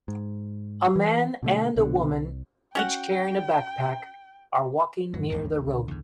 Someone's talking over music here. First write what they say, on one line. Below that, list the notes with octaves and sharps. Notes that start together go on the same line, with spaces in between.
A man and a woman, each carrying a backpack, are walking near the road.
G#2
E3
B2 D3 A3
C2 B2 D3
C2
C#4 F#4 F#5 G5
F2 G#2 E3 F#3
A1 D#2 D#3
C#2 D3
E2 G#2